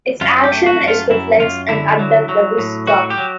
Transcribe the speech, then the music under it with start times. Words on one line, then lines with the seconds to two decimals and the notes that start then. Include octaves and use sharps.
Its action is to flex and adduct the wrist joint.
0.21 F#2 F4
0.44 G4
0.51 A3
0.66 F#4
0.81 F#2
0.88 F4
1.10 F#2 E4
1.40 F#2 F4
1.69 D3 E4
1.99 F#3
2.29 F#3
2.58 A2
2.87 F#3 F#4
3.10 G4
3.18 F#3